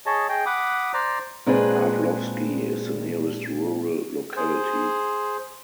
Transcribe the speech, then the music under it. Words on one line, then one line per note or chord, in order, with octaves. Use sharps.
Pavlovsky is the nearest rural locality.
G#4 C#5 D#5 A5
G#4 D#5 G5
F#5 B5 D6 D#6
C5 D5 A#5
A#2 G#3 C4 D4 G#4 B4
G#4 C5